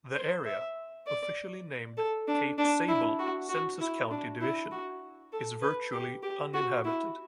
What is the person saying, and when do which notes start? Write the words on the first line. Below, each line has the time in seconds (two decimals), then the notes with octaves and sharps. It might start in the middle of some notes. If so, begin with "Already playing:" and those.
The area, officially named Cape Sable Census County Division, is virtually uninhabited.
0.15 C5
0.45 E5
1.07 D5
1.97 A4
2.28 D4
2.58 D4
2.88 E4
3.19 F#4
3.49 F#4
3.80 E4
4.11 D4
4.40 E4
4.72 F#4
5.32 A4
5.62 B4
5.93 G4
6.23 G4
6.54 F#4
6.85 E4